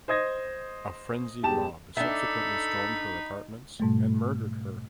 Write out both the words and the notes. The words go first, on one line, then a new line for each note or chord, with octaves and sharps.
A frenzied mob subsequently stormed her apartments and murdered her.
C5 D#5 D#6 G#6 A#6
E1 E2 G4 A5 E7
D4 D#4 A4 E5 B5
G#2 B2 G3 A3